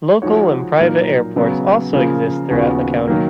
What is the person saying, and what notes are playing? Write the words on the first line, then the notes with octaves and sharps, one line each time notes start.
Local and private airports also exist throughout the county.
F3 G#3 D#4 F#4 C#5
A#2 F#3 A#3 D#4 A#4
C#3 F#3 B3 F#4
C#3 F3 A#3
D#2 C#3 F3 B3 F#4
D#3 F#3 A#3